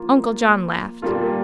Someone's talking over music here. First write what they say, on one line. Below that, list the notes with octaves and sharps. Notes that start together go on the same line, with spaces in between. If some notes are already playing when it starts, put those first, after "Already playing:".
Uncle John laughed.
Already playing: F3 A#3 F4
A#2 G3 A#3 F4 A4